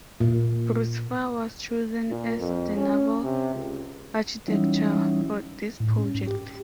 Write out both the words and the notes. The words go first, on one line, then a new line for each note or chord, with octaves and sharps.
Bruce Farr was chosen as the naval architecture for this project.
A#2
A#2
F2
C#4
C3
C#2
E3 F#3 G3 C#4 D#4 E4
A2
C#4
G#2
G4